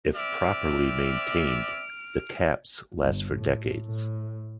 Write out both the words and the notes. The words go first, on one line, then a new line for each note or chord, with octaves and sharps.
If properly maintained, the caps last for decades.
C4 D5 E5 F6 D7
G1
A2
A2